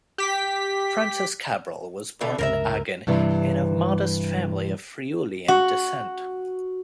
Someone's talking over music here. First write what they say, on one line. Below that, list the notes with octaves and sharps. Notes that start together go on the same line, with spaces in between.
Francis Cabrel was born in Agen into a modest family of Friulian descent.
G4 B6
B2 D3 A3
C#2 G2 C3 A#4 C5 E5
G2 C3 E3
F#4